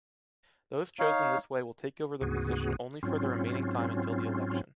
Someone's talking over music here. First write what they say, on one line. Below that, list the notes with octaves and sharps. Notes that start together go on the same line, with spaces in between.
Those chosen this way will take over the position only for the remaining time until the election.
D#4 C#5 F5
D2 G#2 C#3 B3 F#4 G#4
G#2 F#3 C4 C#4 F4